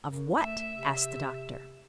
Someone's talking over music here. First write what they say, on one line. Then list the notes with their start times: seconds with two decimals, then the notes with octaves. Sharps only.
"Of what?" asked the Doctor.
0.07 F#2
0.36 A3 E5
0.74 C3